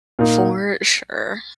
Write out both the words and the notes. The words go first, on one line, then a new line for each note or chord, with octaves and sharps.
For sure.
A#2 A#3 D#4